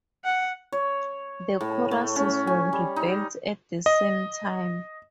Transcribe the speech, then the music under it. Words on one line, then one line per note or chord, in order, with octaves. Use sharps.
The Choirs were rebuilt at the same time.
F#5
C#5
A2
A3
C#4
G#5
G3
D#4
D#5